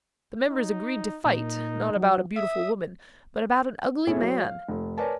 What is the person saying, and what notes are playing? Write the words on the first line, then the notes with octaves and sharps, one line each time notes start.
The members agreed to fight, not about a beautiful woman, but about an ugly man.
D#4
A#2 D#4
F#3
E5 D#6
B2 A3 C#4 E4 G#4 A4
F#3
F5
F1
A#4 B4 C#5 D5 G#5 A5